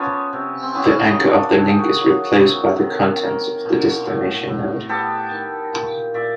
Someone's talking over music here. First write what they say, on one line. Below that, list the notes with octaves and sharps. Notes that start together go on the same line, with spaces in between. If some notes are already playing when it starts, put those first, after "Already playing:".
The anchor of the link is replaced by the contents of the destination node.
Already playing: F3 B3 C#4
C3
C4
E3 B3 C#4
C#4 D#4
A#3
F4
D4 E4
D#3 A4
G#4
G4
F#4 G#4
F#3
C3
D#3
A#3
B2
A2
A2
B3 G4 A4
D#3
A#2
A#2 D5 E5